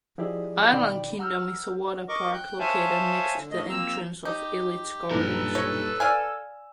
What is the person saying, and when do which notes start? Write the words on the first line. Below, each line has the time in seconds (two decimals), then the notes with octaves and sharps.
Island Kingdom is a water park located next to the entrance of Elitch Gardens.
0.18 F3 E4 G4 G#4 D5 D#5
0.72 B2 D#3 D5 G5 B5
1.19 F#5 A#5 E6 F6 G6
2.09 A#4 D#5 C#6 D6
2.33 G5 F#6 G6
2.59 C5 C#5 E5 F5 G#5 A5
3.35 D3
3.51 A2 A3 D#5
3.69 F3 A#3 C4 A#5 E6
4.25 D#4 G4
5.11 B1 G2 A#2 A4 B4 A#5
5.55 D#4 C#5
6.00 D5 F5 G#5 E6